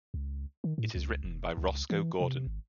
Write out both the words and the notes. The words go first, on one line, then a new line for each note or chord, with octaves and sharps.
It is written by Rosco Gordon.
C#2
D#3
A2
C#2
E1
C#2
E3
C3
G#1